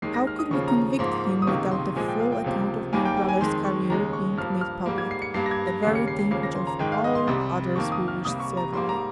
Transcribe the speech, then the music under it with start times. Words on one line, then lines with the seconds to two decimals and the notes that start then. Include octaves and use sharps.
How could we convict him without a full account of my brother's career being made public--the very thing which of all others we wished to avoid?
0.02 D#2 D#3 G#3 C7
0.14 A#6
0.27 F6
0.39 D#6
0.51 D#2 C#3 F3 C#6
0.68 A#5
0.99 G#2 F3 A#3 C6
1.42 D#6
1.47 C#2 C3 D#3 A#3 C#6
1.71 C6
1.96 A#2 F3 G#3 G#5
2.08 G5
2.20 F5
2.32 G5
2.44 C#2 C3 F3 A#3
2.93 D#2 D#3 G3 A#3 G#5
3.05 G5
3.17 G5
3.29 G#5
3.41 F2 D#3 G#3 C6
3.65 C#6
3.90 D#2 C#3 G#3 A#5
4.13 C#6
4.37 G2 F3 A#3 F6
4.61 F6
4.86 G#2 G3 A#3
4.98 G#6
5.11 C7
5.22 C#7
5.34 G2 G3 A#3 C7
5.46 A#6
5.51 G#6
5.67 A#6
5.83 D#2 C#3 G3 A#3 C7
5.95 C#7
6.08 C7
6.19 C7
6.31 D#2 C#3 F3 A#3 C7
6.43 A#6
6.56 C6
6.67 A#5
6.79 G#2 D#3 G#3 G5
6.92 F5
7.04 D#5
7.15 C6
7.27 C2 C3 G3
7.76 F2 D#3 A#3 C#6
7.92 D#6
8.08 F6
8.25 C2 C3 G3 A#3 D#6
8.40 C#6
8.57 A#5
8.72 G#2 G3 A#3 C6
8.89 A#5